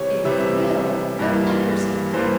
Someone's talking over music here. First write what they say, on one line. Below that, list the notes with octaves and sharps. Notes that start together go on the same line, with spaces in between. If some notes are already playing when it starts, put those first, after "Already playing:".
"It's Bill--Bill Nackerson!"
Already playing: C3 E3 G3 C#5
C3 E3 G3 E5
G2 E3 G3 A#3
G2 E3 G3 A#3 C5